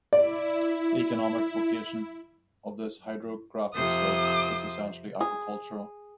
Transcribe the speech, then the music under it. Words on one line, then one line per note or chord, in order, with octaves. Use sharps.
The economic vocation of this hydrographic slope is essentially agricultural.
E4 D5
F2 C3 C5 D#6
G#4